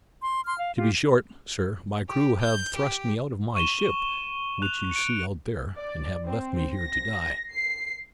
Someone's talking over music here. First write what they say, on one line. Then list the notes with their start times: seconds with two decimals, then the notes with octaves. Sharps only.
To be short, Sir, my crew have thrust me out of my ship, which you see out there, and have left me here to die.
0.23 C6
0.45 C6 F6
0.59 F5
0.78 F4 G4
2.09 G4
2.41 G6
2.76 G4
3.55 C#6 D#7 E7 G7
3.80 G7
4.62 F#6 F7
4.91 C#7 D7
5.76 D5
6.23 C4
6.79 A#6
7.51 C7